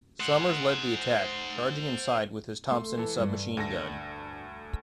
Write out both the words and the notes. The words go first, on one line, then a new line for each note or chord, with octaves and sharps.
Summers led the attack, charging inside with his Thompson submachine gun.
C5 F#5
A3 C6
E3 A4
G2
D2 A4 A#6